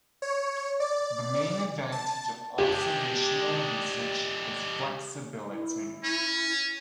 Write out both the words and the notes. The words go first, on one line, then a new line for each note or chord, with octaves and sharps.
The main advantage of observational research is flexibility.
C#5
D5
A5
G#3 D4 G4
E4
C#4